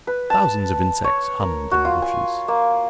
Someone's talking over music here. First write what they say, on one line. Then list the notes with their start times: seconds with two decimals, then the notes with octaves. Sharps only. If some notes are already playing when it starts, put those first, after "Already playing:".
Thousands of insects hummed in the bushes.
0.07 B4
0.30 A5
1.04 C#5
1.40 A#4
1.71 F#4
1.85 F4
2.02 G#5
2.48 A#3